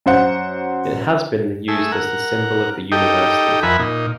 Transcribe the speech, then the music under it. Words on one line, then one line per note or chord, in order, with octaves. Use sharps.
It has been used as a symbol of the university.
F#2 C5 F#5
A3 G#4 E6
A#4 F#5
D#4 G4 A4 D#5 G5
F2 A#4 E5 F#5 G#5 B5
A#2 D#4